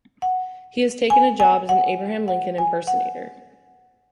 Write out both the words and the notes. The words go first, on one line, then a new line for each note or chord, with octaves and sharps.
He has taken a job as an Abraham Lincoln impersonator.
F#5
G#5
G#5
F#5
F#5
G#5
F#5